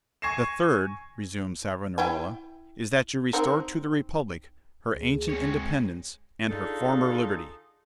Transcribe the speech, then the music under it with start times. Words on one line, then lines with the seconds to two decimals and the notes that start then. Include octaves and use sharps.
"The third," resumed Savonarola, "is that you restore to the republic her ancient independence and her former liberty."
0.22 G#5 C#6 G#6 A#6 C7 E7
1.98 E4 G5 G#5
3.33 C4 D#4 A#4
4.94 D2 G#4
5.29 G#3 C4 C#5
6.48 D3 D4 D#4 F4 G#4 A4